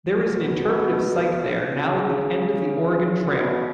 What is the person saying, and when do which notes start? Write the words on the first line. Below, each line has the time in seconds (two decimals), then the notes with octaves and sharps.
There is an interpretive site there now at The End of The Oregon Trail.
0.32 B2
1.81 C#3
3.29 B2